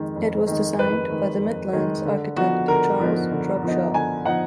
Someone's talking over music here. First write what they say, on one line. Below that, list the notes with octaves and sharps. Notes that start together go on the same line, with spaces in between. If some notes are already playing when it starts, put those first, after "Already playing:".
It was designed by the Midland's architect Charles Trubshaw.
Already playing: F2 D#3 G#3
F2
D#3 G#3
F2 B4
D#3 G#3
F2
D#3 G#3
D3
F3 B3 D#4 F#4
D3 A#4
F3 B3 D#4
D3
F3 B3 D#4
D3 G#5
F3 B3 D#4 F#5